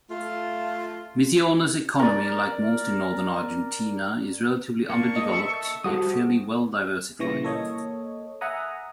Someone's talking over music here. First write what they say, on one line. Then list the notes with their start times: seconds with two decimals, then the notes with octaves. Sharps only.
Misiones' economy, like most in northern Argentina, is relatively underdeveloped yet fairly well-diversified.
0.10 A3 F4
1.99 A#4 D5
4.90 A#3 D4 C#6
5.16 D#5
5.33 A4 E5
5.84 G3 F#4 G4 A4 C5 D#6
7.19 A#2 C#3 E3 G3 C#6 A#6
7.43 A#3 A4 C#5 D#5
8.41 E5 F#5 G#5 A#5 D#6